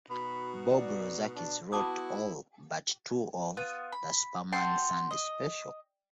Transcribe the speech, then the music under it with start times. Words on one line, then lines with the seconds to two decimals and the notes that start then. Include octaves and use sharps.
Bob Rozakis wrote all but two of "The Superman Sunday Special".
0.10 B2 D#4 F#4 B5
0.72 D5
1.36 D4
1.72 B3 E4 F#4 A5 D6 D#6
3.57 B3 F4 D#6
3.92 B5
4.52 F#4 G5 A5 C6
5.11 D#5